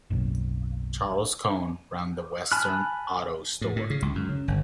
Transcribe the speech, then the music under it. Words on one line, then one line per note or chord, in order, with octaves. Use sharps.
Charles Cone ran the Western Auto Store.
F#1 B1
G#5 A5 B5 F6 F#6
A2
A2
C#3
C#2
F#2
C#3
G1